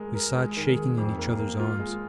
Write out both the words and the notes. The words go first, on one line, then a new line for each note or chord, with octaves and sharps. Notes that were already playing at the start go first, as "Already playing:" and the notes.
We sat shaking in each other's arms.
Already playing: G#3 A#4
A#4
G#3
D#3
G#4
F2
A#3
A#3
F4
G#3